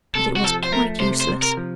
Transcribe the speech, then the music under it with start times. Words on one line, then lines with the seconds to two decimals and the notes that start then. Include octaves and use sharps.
But it was quite useless.
0.15 C3 A4
0.36 F#4
0.44 F3 A4
0.64 C5
0.72 A3 A#4
1.00 C3 C5
1.21 C5
1.28 C3
1.42 A#4
1.57 F3